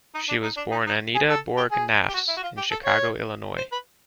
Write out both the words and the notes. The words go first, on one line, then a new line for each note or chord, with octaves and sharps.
She was born Anita Borg Naffz in Chicago, Illinois.
D#4
D4
D#4
D4
D#4
D#4
G#4
A4
G4
G#4
G4
F#4
E4
F#4
F4
G4
A4
C#5
C5
B4